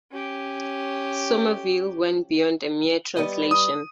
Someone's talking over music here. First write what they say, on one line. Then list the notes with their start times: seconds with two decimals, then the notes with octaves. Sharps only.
Somerville went beyond a mere translation.
0.12 C#4 G4
3.17 G3 B3 D#5
3.51 D#6